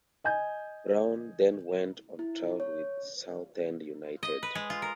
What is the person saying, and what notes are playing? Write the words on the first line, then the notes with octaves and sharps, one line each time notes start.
Brown then went on trial with Southend United.
D#5 G#5 G6
E4
C#5
D#5
B4
G#3
F4
A#4